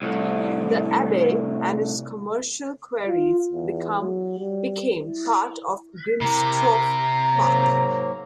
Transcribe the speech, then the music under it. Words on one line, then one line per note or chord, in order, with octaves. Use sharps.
The Abbey and its commercial quarries became part of Grimsthorpe Park.
C2 A2
F4
E2
F#3
G3
E4
C3 E4 G4 A#4 A#5
G#2 F#3 A#3